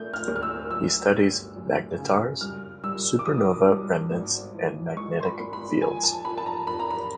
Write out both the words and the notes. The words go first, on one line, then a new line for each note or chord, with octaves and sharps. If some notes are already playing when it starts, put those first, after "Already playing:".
He studies magnetars, supernova remnants and magnetic fields.
Already playing: A3 G6
F6
D2
F6
E6
F#3 E6
G1
F#2
C#3
G3 F6
G3 E6
D6
B1 D#6
G3
G#1
E3
G#3 C#6
C6
B5
G#1
B5
F2 G#5
A5
F2 B5
A5
A#5
F2 B5
A#5
B5